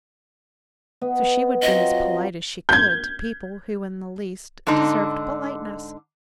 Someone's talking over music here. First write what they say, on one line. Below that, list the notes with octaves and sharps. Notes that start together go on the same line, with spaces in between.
So she would be as polite as she could to people who in the least deserved politeness.
B3 D#5
F#3 C4 F4 D#5
G6 G#6
G#2 D3 D4 D#4